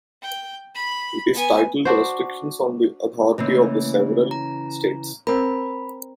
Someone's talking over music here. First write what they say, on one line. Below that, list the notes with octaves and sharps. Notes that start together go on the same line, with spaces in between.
It is titled, Restrictions on the Authority of the Several States.
G5
B5
B3 G#5
D4 F#4 C5
C#3 E3 A3 A#3
A#5
C4 A#4 B5